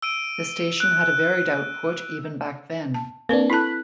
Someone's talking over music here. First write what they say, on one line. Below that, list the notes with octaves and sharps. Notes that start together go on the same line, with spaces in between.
The station had a varied output even back then.
E6 D7 D#7
F#6 D7
A5
A#3 C4 D4 B4
E4 A4 A5 B5 F#6